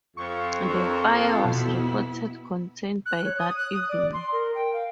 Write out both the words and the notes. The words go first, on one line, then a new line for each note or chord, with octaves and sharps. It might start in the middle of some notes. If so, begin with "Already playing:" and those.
The fire was reported contained by that evening.
F2 C#6
C4 D4 A#4
C4 F4 A4
B2 B3 E4
F#6
C#5
D#6
F#6
D#6
D5
C6
A#4
G5
F5